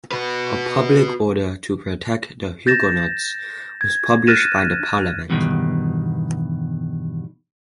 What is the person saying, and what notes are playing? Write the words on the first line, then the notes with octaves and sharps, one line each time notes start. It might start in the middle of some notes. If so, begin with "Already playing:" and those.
A public order to protect the Huguenots was published by the Parlement.
F#4 B4
G6 A6 A#6 E7
G#6
F6 F#6 A6 A#6 D#7 E7
E2 G2 B2 D#3